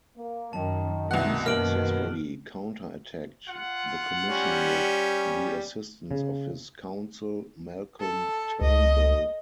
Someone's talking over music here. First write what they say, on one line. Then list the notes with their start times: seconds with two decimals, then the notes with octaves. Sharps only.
He successfully counter-attacked the Commission with the assistance of his counsel Malcolm Turnbull.
0.16 A#3
0.53 F#2 D#3 A5
1.11 C2 B2 D#3 F#5 F#6
1.46 F#2 D#3 A#3 F6 D7 F#7
3.47 F4 F#5
4.29 G3 C#4
6.11 C#3
8.00 A4
8.61 C#2 D#5